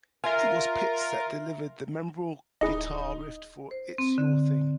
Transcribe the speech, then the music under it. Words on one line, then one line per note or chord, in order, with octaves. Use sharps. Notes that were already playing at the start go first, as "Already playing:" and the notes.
It was Pitts that delivered the memorable guitar riff for "It's Your Thing".
F4 A#4 E5 G#5
D1 D#4 E4 G#4 D#5
C5
C4
D3